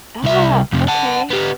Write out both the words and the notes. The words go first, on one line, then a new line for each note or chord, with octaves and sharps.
Ah, okay.
C2 E5
F2 C3
F#5 A5
B3 G4